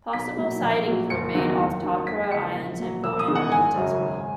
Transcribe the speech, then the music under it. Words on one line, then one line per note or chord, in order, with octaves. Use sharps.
Possible sightings were made off Tokara Islands and Bonin Islands as well.
B1 B6
A#2 F#3
A#1
A#2 F#3
F#1 C#7
E2 D#3 F#3
D#2
D#3 F#3
D#2 B6
B6
C#3 E3 G#3 C#7
A#1
A#2 F#3
E1 E6
D#6
E2 D#3 G#3
F#5
G#1 G#5
F#2 C#3 F#3
G#1